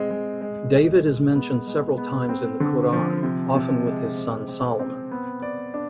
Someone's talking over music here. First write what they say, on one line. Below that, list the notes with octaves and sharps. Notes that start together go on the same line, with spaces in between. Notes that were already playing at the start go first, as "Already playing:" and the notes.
David is mentioned several times in the Quran, often with his son Solomon.
Already playing: G#3 C4
G#3
G#3
G#3
G#3
B3
G#3
B3
C4
D3
F3
C3
C3
G#3
C4
C4
C4
B3
D5
D4